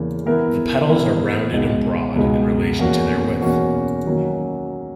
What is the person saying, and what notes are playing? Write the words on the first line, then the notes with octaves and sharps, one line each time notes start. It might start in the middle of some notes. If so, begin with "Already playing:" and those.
The petals are rounded and broad in relation to their width.
Already playing: E2 C#3 E3 A#3
E3 B3 E4 A#4
E3 B3 E4 A#4
C#2 B2 G#3 B3 D#4
C#2 B2 G#3 B3 D#4
E2 B2 A#3 C#4 F#4
E2 B2 A#3 C#4 F#4
D#3 F#3 A#3 C#4